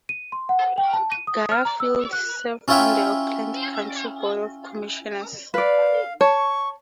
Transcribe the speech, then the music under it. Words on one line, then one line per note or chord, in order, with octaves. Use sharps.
Garfield served on the Oakland County Board of Commissioners.
D#7
C6
F#5
G5
A5
D#7
D#6
F6
A#5
E6
F#6
C#4 E4 F4 C#5 E5 G5
B4 D5 F5
C#5 A5 C#6